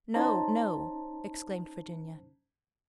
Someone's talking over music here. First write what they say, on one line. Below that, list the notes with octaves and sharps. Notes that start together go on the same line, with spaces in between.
"No, no!" exclaimed Virginia.
C#4 D#4 C5 A5 A#5